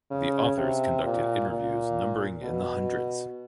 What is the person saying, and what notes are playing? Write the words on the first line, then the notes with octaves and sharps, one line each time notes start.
The authors conducted interviews numbering in the hundreds.
C#3
C3
A#2
A#2
B2